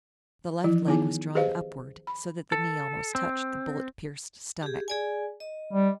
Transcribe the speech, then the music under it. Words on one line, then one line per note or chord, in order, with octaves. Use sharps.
The left leg was drawn upward so that the knee almost touched the bullet-pierced stomach.
E3 F3 E4
D#3 B3 D#4 E4 G#4 G#5
G4 G#4 B4 C5 D#5 F5
B5
A4
C4
G4 G#4
G#4 D5 G#5
D#5
G3